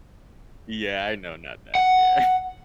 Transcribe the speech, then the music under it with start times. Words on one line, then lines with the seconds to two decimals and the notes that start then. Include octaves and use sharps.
Yeah, I know, not that, yeah.
1.75 F#5